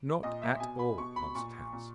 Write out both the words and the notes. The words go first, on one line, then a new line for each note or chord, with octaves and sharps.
'Not at all!' answered Hans.
A#2 D#5
E5
B2 G#5
B5
B2 C#6
B5
A#2 C#6
A#2